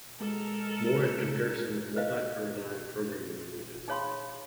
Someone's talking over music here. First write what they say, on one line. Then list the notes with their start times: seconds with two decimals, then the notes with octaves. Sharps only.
More at Comparison of multi-paradigm programming languages.
0.20 G#3 A4 A#4
1.96 B4 C5 D#5 F5
3.88 D#4 G#4 C#5 F5 B5 C6